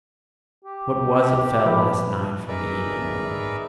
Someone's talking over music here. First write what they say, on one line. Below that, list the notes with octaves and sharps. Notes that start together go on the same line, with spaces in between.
What was it fell last night from the evil moon?
G4
A#2 F3 B4
D#4 G#4 A#4 B4 D5 E5